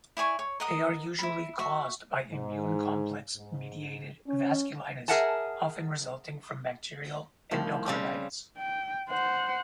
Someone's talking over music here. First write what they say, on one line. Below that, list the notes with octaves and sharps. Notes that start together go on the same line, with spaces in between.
They are usually caused by immune complex mediated vasculitis often resulting from bacterial endocarditis.
E4 D5 G#5 C#6
C#5
A#4 D#5 F#5 D#6
E4 B5
F#4 E5
G#2
G#2
C#4
G#4 A#4 E5 F#5 G#5 A5
C2 A2 D#3 F3
C#3 G3 C4
G5
C5 F#5